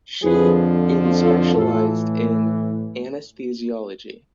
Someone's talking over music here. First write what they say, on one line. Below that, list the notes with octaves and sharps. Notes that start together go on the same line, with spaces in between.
She in specialized in anesthesiology.
F2 D3 F3 G#4 B4
F4 A4
A2 E3 F4 A4